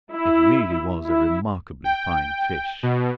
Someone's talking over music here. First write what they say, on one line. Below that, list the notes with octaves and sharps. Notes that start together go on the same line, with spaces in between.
It really was a remarkably fine fish.
E4
E4
G5
B2